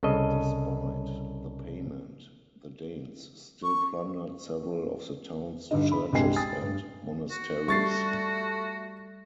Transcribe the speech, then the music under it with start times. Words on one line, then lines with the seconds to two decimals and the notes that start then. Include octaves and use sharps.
Despite the payment, the Danes still plundered several of the town's churches and monasteries.
0.03 C2 C#3 A4 D#5
3.64 C#6
5.71 G2 D3 D#4
5.92 B5
6.13 C2 G2 G#3 G4 G#5 C7
6.36 G5 G#5 D#6 A6
6.62 G2
7.30 F#4
7.68 G3 A3 C#6 A6 C7